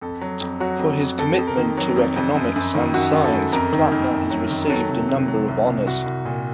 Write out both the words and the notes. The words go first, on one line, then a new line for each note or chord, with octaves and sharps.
For his commitment to economics and science, Plattner has received a number of honours.
F2 A4
F#3
F2
F#3 F#4
F2
F2
F2 A4
F2
A#4
D#3
F#3
F2
F2
F#2
F#2
D#3
F#2 F#4
F#2
A4
F#2
F2 A#4
D#3
D#3
F2
F#3
D#3
F#3 A4
C3
C3
F#3
C2
C2
C2 F#4
C2
A#2